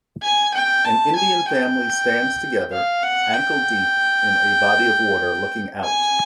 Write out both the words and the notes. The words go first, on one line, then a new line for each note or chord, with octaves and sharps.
An Indian family stands together, ankledeep in a body of water, looking out.
G#5
G5
A5
G#5
G5
F5
F#5
G5
G#5